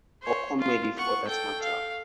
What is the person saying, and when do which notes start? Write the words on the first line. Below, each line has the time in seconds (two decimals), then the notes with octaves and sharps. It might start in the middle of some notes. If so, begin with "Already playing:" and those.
Or comedy for that matter.
0.22 C5 C#5
0.59 F4
0.97 F#5 C#6
1.27 A4 G5
1.62 F5